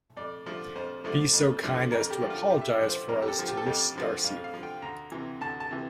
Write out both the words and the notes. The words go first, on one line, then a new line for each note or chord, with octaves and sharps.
Be so kind as to apologise for us to Miss Darcy.
F2 D5
D3 F3 A3 D4
F2 C5
D3 F3 A3 D4
F2
D3 F3 A3 D4
F2 A#4
G4
D3 F3 A3 D4
F4
F2 G4
E5
D5
D3 F3
C5
F2 A#4
G4
A4
D3 F3
G4
A4
F2 G4
D3 F3
F2 F5
F5
D3 F3
G5
D2 A#5
C3 E3
D2 A5
A5
C3 E3